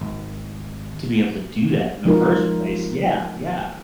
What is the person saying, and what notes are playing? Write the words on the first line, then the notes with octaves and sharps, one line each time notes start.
to be able to do that in the first place? Yeah, yeah.
G#1
F3 G#3 D#4 F4 A#4